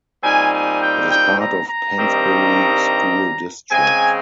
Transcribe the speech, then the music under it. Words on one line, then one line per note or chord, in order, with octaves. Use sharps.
It is part of Pennsbury School District.
A#2 G3 C4 D#4 G#5
G#5
G5
G5
A#5
A#5
G2 D#3 G3 C4 D#4
C#3 G#3 C4 G#5